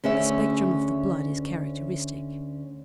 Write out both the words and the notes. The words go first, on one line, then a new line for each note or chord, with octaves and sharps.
The spectrum of the blood is characteristic.
D2 C#4 G#4 E5